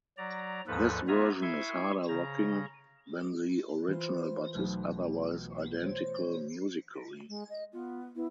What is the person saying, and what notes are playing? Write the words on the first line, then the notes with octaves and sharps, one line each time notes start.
This version is harder rocking than the original but is otherwise identical musically.
F#3 D5 A#5
D#2 G#2 F3 A4 B4
B3 F4 E5 G#5 A#5
E4 E5 G#5 C6 C#6
C#3 A#5
E3 F4 C5
B1 A3 B4
C5 C#5
G#3
D#5
B3 F4
B3 E4